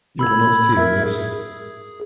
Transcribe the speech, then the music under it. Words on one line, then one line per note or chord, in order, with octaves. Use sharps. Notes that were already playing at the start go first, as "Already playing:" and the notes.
You're not serious.
B5 E6 G#6
A#4 E5 G#6
G#4